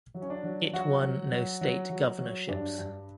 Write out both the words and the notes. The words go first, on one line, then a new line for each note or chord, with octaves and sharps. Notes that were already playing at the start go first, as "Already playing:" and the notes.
It won no state governorships.
F#3
C#4
D4
F#3
F#3 F#4
F#3
F#3
F#3
F#3
F#3
G2 D4
G2